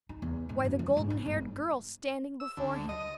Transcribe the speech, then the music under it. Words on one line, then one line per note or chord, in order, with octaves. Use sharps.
Why, the golden-haired girl standing before him.
D#4
E2
G#2
F#2
F3
G#2
D#4
G1
E6
D2
D#5